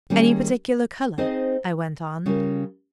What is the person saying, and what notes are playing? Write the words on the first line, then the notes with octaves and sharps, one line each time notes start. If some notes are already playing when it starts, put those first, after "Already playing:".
"Any particular color?" I went on.
D#3 G3 A#3 C#4 G#4
C4 D#4 G#4 C5 D#5
C#3 G3 C#4 F4 A#4